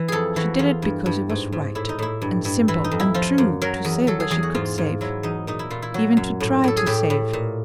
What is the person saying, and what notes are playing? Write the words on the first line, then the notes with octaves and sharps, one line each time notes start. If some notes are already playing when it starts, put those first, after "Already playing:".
She did it because it was right, and simple, and true to save where she could save; even to try to save.
Already playing: E3
F2 G#4 A4
E3 F#4
E2 F4
G2
G2
G#2
G#2
A2 E4
D#4
A2 E4
G2
G2
E3 E4
D#4
F2
E4
F3 F4
F#2
F#3 A#4
E2
F#3 A4
G#4
E2 G#4
F#4
G#2 F4
G#2
F#3 E4
E2 D#4
A#2 D#4
E4
A#2 F4
E4
F#3 F#4
F#2
A2
A2 A4
G#4
A2 G4
A2
A#2